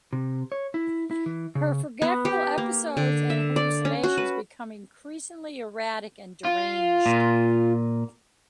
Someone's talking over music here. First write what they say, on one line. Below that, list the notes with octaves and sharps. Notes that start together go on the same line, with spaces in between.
Her forgetful episodes and hallucinations become increasingly erratic and deranged.
C3
C#5
E4
E4
E3
C#3
B3
G4
A#3
D3
E5
D5
C#4
F#4
B4
F4
A#2